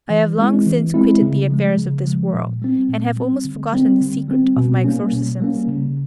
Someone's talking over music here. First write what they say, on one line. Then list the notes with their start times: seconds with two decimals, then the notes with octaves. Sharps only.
I have long since quitted the affairs of this world, and have almost forgotten the secret of my exorcisms.
0.10 E3
0.38 G#3 C4 E4
0.66 E3
0.94 G#3 C4 E4
1.22 C#3
1.50 F3 G#3
1.78 C#3
2.06 F3 G#3
2.33 A#2
2.62 G3 C4
2.89 A#2
3.16 G3 C4
3.44 D3
3.73 G3 C4
4.01 D3
4.28 G3 C4
4.56 B2
4.84 G3 A#3 C#4
5.12 B2
5.40 G3 A#3 C#4
5.68 C#3